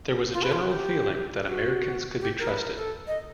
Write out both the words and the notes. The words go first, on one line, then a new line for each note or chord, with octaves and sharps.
There was a general feeling that Americans could be trusted.
F4
B4
F4
F#4
G4
F#4
G4
A#4
B4
A#4
A4
D#5